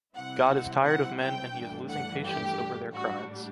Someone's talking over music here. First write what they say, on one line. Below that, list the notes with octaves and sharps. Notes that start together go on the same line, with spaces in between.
God is tired of men and He is losing patience over their crimes.
C3 G3 C4 E4 F#5
F#5
G5
G2 E3 A3 D4
F#5
G4
A2 G3 D4 F#4